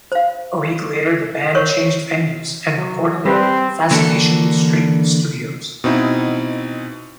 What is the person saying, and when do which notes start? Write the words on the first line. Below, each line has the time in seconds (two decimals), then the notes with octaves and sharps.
A week later the band changed venues and recorded at Fascination Street Studios.
0.12 C5 F5
1.55 A#4 C5 C#5 C#6
2.77 F#3
3.25 G3 C4 B4
3.91 D3 E3 A#3 D4 F#4 A4
5.84 B2 C4 D#4 E4